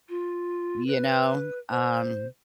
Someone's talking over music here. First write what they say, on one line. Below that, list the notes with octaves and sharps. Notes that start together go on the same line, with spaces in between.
you know, um,
F4
B4
C5